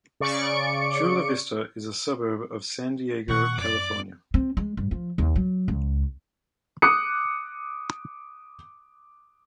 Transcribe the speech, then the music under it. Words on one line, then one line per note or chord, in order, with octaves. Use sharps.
Chula Vista is a suburb of San Diego California.
C#3 D5 C#6 C#7 D7
A#2 D#3 F#5 C#6
F#2 D5 D6
C4
G#3
G2
F3
D#2
F#3
C#2
D6 D#6 F#6 C#7